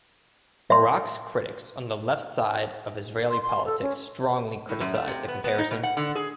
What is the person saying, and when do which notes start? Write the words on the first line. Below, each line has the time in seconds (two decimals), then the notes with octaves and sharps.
Barak's critics on the left side of Israeli politics strongly criticised the comparison.
0.70 E5 C6
3.30 C6
3.42 C6
3.65 A4
3.82 C#4
4.69 A2
4.81 F#2
4.94 A3
5.07 C3
5.28 B3
5.44 B3
5.58 D#4
5.71 B2
5.83 F#5
5.97 D3
6.15 G#4